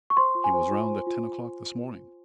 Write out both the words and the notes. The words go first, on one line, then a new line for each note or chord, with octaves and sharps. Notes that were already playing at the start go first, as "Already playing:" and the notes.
"He was round at ten o'clock this morning."
C#6
C5 C6
F4
G#5
C5
F4
C5
F4